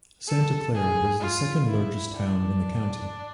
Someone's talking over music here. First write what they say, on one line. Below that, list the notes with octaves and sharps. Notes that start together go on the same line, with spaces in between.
Santa Clara is the second largest town in the county.
A4
G#4
F4
E4
D4